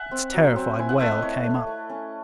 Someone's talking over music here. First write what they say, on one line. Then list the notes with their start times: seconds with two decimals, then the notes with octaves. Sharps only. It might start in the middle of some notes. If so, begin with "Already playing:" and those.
Its terrified wail came up.
Already playing: E5 F#5 G#5
0.11 C4
0.34 F#3
0.56 C4
0.79 E4 G#5
0.89 F#5
1.00 A3 E5
1.12 D#5
1.22 E4 C#5
1.44 A3
1.67 A3
1.90 C#4